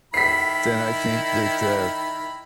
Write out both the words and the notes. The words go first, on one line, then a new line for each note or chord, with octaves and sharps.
then I think that, uh
D#3 E4 B5 B6 C7